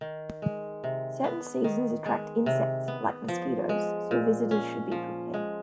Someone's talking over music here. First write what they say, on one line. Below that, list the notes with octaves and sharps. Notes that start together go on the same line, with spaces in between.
Certain seasons attract insects, like mosquitos, so visitors should be prepared.
D#3
G#3
C3
B3
D#3
G#3
C3
B3
F3
G#3
A#2
C#4
F3
G#3